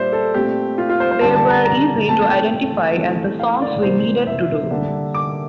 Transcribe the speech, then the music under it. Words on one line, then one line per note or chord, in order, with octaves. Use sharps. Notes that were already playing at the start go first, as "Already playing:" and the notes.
They were easy to identify as the songs we needed to do.
Already playing: A#2 G3 A#3 C5 D5 E5
A4
A#2 A3 C4 G4
F4
F4
C5
C5
D3 G3 C4 A5
A5
A#5
A#5
A#2 A3 C4 A5
A5
G5
E3 A3 C4
F5
D5
C3 E3 A#3 C5
E5
D3 G3 A#3
D6